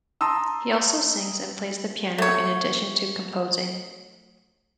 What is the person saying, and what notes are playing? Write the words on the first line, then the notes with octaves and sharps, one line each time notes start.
He also sings and plays the piano in addition to composing.
A5 A#5 C6 D#6 E6
A3 C#5